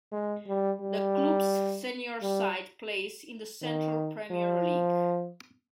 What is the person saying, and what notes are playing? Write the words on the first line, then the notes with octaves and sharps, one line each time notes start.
The club's senior side plays in the Central Premier League.
G#3
G3
G3
G3
D#3
F3